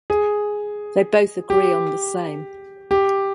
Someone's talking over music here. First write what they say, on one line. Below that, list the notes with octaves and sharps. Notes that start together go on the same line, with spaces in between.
They both agree on the same.
G#4
G4
G4